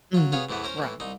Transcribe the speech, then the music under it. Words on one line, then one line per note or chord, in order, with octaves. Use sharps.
Mhm, right.
F#3 F4
B3 F4 G#4 C#5 F5
E2 A2 C3 E3 B3
C#4 A#4 C5
A2 E3
C2 D#4